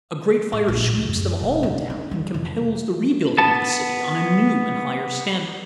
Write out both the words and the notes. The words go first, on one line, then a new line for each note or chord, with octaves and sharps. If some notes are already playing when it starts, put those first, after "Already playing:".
A great fire sweeps them all down and compels the rebuilding of the city on a new and higher standard.
A2
A#1
A1
C#2
F#2
E1
D#4
C#4
G3
F1
B3 A5